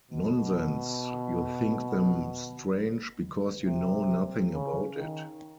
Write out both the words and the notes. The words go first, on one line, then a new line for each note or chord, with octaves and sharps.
Nonsense; you think them strange, because you know nothing about it.
B2
C3
C#3
D#3